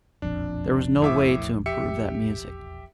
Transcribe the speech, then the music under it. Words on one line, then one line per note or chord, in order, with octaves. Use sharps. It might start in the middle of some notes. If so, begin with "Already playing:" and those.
There was no way to improve that music.
E1 A#1 F2 D4
A2 E5 D6
G4 E5 C#7